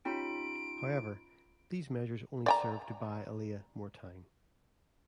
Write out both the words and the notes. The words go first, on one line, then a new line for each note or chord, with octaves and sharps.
However, these measures only served to buy Alia more time.
C#4 D#4 F4 G4 B5 D7
D5 G5 A#5